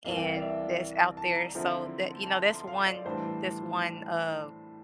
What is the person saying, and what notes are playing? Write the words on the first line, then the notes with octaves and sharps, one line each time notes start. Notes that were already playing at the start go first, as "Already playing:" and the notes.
and that's out there, so, that you know, that's one that's one, of
C2 C3 E3 A#3 F5
G5
F5
D5
E5
A5
A#5
D3 F3 C4 E4
A5
A#5
C6
F5
D5
A2 E3 G3 D4 C5